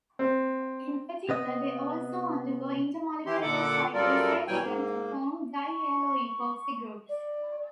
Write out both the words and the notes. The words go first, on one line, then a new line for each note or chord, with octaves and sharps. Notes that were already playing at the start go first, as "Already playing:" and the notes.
In particular they also undergo intramolecular cyclisation to form dihaloepoxy groups.
C4
C3 B3 D#5
E3 E4 G4 C6
A#2 D3 A4 F#5 D6
F#2 G3 F4 A4 A#4 D5
B2 E3 F#3 G3 G5 G#5
G#2 A#3
C#6
D5